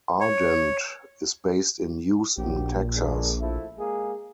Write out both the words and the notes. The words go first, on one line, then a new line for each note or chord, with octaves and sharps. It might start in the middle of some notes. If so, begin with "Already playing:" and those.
Ardent is based in Houston, Texas.
C#5
A#1 D#2 F#3 G4
D3 G#3 A#3
F3 A3 E4
G#3 A#3 G#4